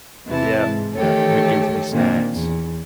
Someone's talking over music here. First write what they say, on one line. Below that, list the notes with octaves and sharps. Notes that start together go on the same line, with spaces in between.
Yep. Yep. "Who gives me snacks,"
E2 C3 E3 E4 A5
G#2
D#3 E3 A3 G4 A4 C#5
A#2 D#3 A#3 C4 D4
E2